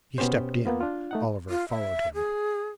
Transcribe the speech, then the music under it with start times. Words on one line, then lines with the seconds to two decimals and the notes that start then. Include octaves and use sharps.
He stepped in; Oliver followed him.
0.18 B2 B3 C#4 G4 C5
0.65 A#3 B3 F4
0.81 D4 F4
1.11 A3 D#4 F#5
1.50 F4
1.70 E5
2.15 G#4